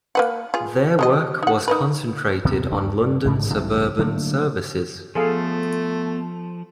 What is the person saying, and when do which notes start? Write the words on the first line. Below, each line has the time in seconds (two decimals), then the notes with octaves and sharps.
Their work was concentrated on London suburban services.
0.15 A#3 B4 F#5
0.54 F4 G#4
0.99 G#3 A4 D#5
1.43 D#4 F#5
1.68 D#4 A#4 B4
2.45 D#2 C3 D#3 B3
2.70 D#1 D2 G3 D4
3.01 G2
3.25 A1 G#2 D3
3.53 B1 G2 C#3 E3
3.99 D3 F#3 A3 A#3
5.15 F3 A3 B3 G#4 A4 F5